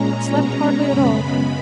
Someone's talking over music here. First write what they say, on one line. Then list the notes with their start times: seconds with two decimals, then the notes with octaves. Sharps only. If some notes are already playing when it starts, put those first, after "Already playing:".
Slept hardly at all.
Already playing: A#2 G#3 C#4 A#5
0.32 B2 G#3 C#4 A#5
0.88 F#2 C#3 G#3 B3 B5